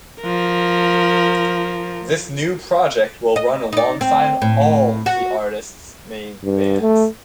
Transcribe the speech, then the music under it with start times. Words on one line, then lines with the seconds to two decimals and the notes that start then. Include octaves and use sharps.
This new project will run alongside all the artists' main bands.
0.22 F3 A#4
3.36 D#5
3.72 D#4 D5
4.01 C4
4.42 A2
5.06 F#4
6.44 G2
6.81 A3